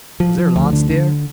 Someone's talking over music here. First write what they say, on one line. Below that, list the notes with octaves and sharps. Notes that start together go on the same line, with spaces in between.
Was there lots there?
F3
F3
D2
D3
D3